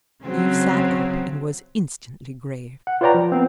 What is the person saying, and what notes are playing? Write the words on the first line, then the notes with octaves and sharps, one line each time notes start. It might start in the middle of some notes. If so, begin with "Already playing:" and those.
Eve sat up and was instantly grave.
C#3 F#3 C4
F#5
F4 B4 C#5 D5 G5 A#5
F3
B3 C4